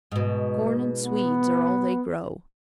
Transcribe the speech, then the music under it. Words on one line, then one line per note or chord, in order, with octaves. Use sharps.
Corn and swedes are all they grow.
G#2 B2
B3